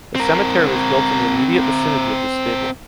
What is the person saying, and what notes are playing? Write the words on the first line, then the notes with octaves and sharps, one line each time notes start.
The cemetery was built in the immediate vicinity of this stable.
C4 A#4